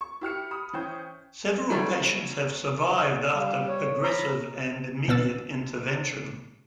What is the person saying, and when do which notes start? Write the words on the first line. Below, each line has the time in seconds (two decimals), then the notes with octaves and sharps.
Several patients have survived after aggressive and immediate intervention.
0.01 C#6
0.21 E4 G4 F6 C#7
0.51 B5 D#6
0.73 E3 C#4 C5 G5 D#6 G6
1.70 F#3 G3 A3
3.34 G3 F5
3.68 C#5
4.04 A#5 B5
5.08 B2 B3 E6 A6